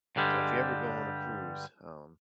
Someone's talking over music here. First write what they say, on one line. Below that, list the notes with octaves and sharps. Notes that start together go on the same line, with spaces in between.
So, if you ever go on a cruise, um,
G2 D3 G3 G#3